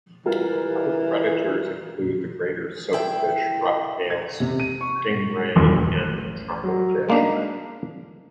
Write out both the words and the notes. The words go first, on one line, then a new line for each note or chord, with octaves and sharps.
Other predators include the greater soapfish, roughtail stingray, and the trumpetfish.
E3 G3 F4 A#4
E4 G5
G#6
C3
D#7
C#6
A1
F#3
G#3 A#3 B3 D4 D#4